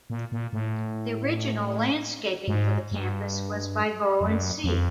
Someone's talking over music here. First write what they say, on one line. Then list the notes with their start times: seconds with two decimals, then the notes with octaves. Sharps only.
The original landscaping for the campus was by Vaux and C.
0.10 A#2
0.32 A#2
0.53 A2
2.48 G#2
2.91 G2
4.21 F#2
4.64 F2